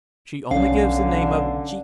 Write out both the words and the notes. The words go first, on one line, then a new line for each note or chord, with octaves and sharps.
She only gives the name of 'G.
B1 D3 C#4 F5